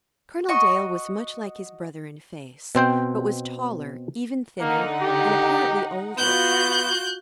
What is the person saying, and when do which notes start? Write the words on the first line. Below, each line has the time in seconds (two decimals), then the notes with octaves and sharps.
Colonel Dale was much like his brother in face, but was taller, even thinner, and apparently older.
0.49 F#4 D#5 C#6
2.75 B2 C4 C5 G5
4.60 D3 A#3 D#4 F#5
5.02 G4
6.18 B3 F4 F#4 F#6 G6